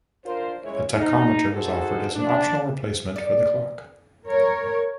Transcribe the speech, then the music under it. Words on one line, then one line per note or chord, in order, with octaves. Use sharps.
A tachometer was offered as an optional replacement for the clock.
D4 F4 A#4 C5
C#3 E3 G#3 E4 C#5
D#4
D#4 F#4 G#4 A4 C5
D4
D5
A#4 C#5